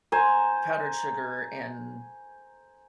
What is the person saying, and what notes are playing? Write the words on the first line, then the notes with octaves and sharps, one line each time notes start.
powdered sugar and
C5 G#5 A#5